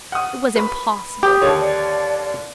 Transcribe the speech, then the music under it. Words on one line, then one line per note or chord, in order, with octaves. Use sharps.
It was impossible.
F#5 D#6
B4 B5
G4 D#6
D#2 D3 C#5
D5